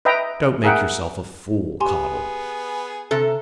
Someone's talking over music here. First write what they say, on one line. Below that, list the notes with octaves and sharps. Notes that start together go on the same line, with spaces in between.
"Don't make yourself a fool, Caudle."
B4 D#5 E5 G5 A#5
G#4 A#4 E5 F#5 G5
B3 G4 G#4 G#5 C6
C3 A4